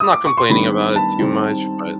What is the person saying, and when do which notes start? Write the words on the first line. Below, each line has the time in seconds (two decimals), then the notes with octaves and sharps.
I'm not complaining about it too much, but,
0.00 D#6
0.13 D6
0.25 C#6
0.38 C6
0.50 D#3 G3 B3 D4 B5
0.96 A5
1.18 D#3 G3 C4 D#4